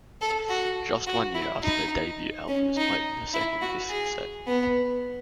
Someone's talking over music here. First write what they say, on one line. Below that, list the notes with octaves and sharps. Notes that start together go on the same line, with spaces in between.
Just one year after their debut album is played the second disc set.
A4
F#4
F#4
E4
D#4
C#4
D#4
E4
F#4
G#4
B3